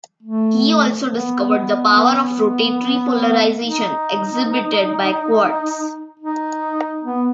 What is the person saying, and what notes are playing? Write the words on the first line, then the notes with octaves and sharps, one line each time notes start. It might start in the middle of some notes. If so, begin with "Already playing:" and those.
He also discovered the power of rotatory polarization exhibited by quartz.
A3
B3
B3
B3
D#4
D#4
B3